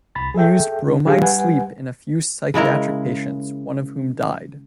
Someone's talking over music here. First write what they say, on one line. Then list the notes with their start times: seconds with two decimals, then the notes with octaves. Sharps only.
He used bromide sleep in a few psychiatric patients, one of whom died.
0.15 C2 B5 A6
0.34 G#4 A4 E5 G5
0.83 D3
1.05 D3 F3 G4 G#4 F5
1.21 G3 B4 F#5 G#5
2.54 C#3 G#3 E4 A#4